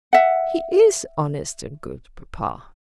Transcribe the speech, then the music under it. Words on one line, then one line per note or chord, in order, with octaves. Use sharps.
"He is honest and good, papa."
E5 F#5